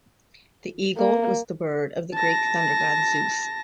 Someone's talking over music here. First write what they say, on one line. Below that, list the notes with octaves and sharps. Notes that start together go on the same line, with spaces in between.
The eagle was the bird of the Greek thunder-god Zeus.
A#3
A5 A#6